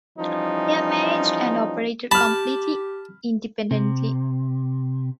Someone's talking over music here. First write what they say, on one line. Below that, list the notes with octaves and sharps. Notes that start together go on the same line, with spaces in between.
They are managed and operated completely independently.
E3 F3 G3 C#4 D#4
G4 A5 B5 F6
C3